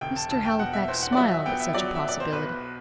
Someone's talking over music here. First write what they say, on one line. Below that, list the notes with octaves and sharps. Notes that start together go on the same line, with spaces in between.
Mr. Halifax smiled at such a possibility.
E1 G5
A5
E1 A5
G5
B2 F#5
E5
E2 C5
F#5
D5
F#3 E5
E5
B3 G5
E5
F#3 D5
E5
B2 D5
C5
B1 B4